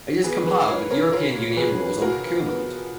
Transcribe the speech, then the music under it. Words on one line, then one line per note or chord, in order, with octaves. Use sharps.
It also complied with European Union rules on procurement.
B3 G#4 B4
G#4 B4
F4 A#4 C#5
A#4 C#5
F4 A#4 C#5
F3 G#4 B4
F4 F#4 A#4
B3